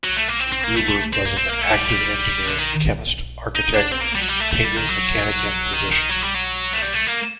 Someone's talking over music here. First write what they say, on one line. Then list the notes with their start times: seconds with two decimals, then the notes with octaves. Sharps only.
Gruber was an active engineer, chemist, architect, painter, mechanic and physician.
0.04 F#3
0.16 A3
0.28 A#3
0.40 C4
0.52 C4
0.64 A#3
0.76 A3
0.89 A3
1.13 C4
1.25 A#3
1.37 C4
1.49 A#3
1.61 A3
1.74 G3
2.46 D3
2.58 D#3
3.55 D#4
3.74 D4
3.91 C4
4.01 A#3
4.15 G3
4.19 F#3
4.28 G3
4.40 A3
4.52 A3
4.64 G3
4.76 D#3
4.89 F#3
5.73 D#3
5.91 D#3
6.09 F#3
6.22 G3
6.34 F#3
6.73 A3
6.82 G3
6.94 A3
7.07 A#3